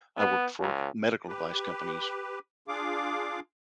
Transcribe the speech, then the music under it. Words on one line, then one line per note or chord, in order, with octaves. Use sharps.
I worked for medical device companies.
B3
C#2
G4 B4
D4 F4 G#4 F5 D6